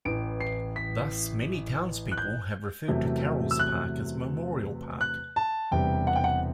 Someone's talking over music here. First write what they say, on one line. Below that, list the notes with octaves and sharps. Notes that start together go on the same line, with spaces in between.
Thus, many townspeople have referred to Carroll's Park as Memorial Park.
A1 A2 E3 D7
C7
B6
F#6
G6
E2 C3 F#3 A3
E6
F#6
F#6
A5
E1 E2 C3 G3 G5
F#5
G5
F#5